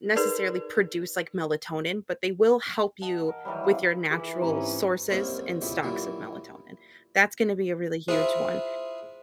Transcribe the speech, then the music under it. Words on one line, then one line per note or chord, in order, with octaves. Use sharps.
necessarily produce like melatonin, but they will help you with your natural sources and stocks of melatonin. That's gonna be a really huge one,
D#4 G#4 A#4 B4 D5
D#5 F#5 A5
A#4
D#3 E3 F#3 G3
C4 E4 F5
E3 E4 F4 G#4
G#2 C3 C#4 A#5 B5
C2 F#2 G#3 A#3 C5
C#2 B2 E3 G4
D#2 A#2 E3 F#3
E4 F4 G#4 C5